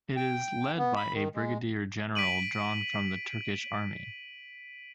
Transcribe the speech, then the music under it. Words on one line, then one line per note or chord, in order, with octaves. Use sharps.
It is led by a Brigadier General drawn from the Turkish Army.
G5
B3
B5
D#3
G#3
B6 D7 D#7 F#7